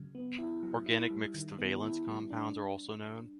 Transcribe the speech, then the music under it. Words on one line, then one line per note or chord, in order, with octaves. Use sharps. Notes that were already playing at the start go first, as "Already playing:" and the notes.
Organic mixed valence compounds are also known.
Already playing: C#3 F#3
B3
E4
F#3
E4
G3
D#3
B3
E4
G3
D4